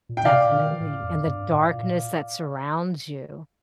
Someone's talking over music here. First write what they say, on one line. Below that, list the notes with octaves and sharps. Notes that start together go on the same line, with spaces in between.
Definitely. And the darkness that surrounds you.
A#2
G5
C3 D5 F5
A#2
D#3
A2
F2
G2
A2
A#2